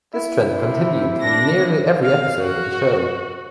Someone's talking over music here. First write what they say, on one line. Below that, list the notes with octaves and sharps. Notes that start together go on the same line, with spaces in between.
This trend continued through nearly every episode of the show.
E4
C3
D4 A#6
F5
F#4